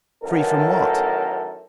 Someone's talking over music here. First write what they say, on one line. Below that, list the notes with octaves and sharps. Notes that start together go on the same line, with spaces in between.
Free from what?
A1 F#2 D#3 A4 A#4